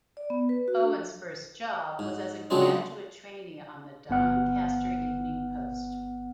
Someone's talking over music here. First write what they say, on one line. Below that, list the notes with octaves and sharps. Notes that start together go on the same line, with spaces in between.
Owen's first job was as a graduate trainee on the "Doncaster Evening Post".
D5
B3
B4
F#4
D4
G#2
C#3 F3 F#3 G#3 C4 D4
G1 B3 F#5 F6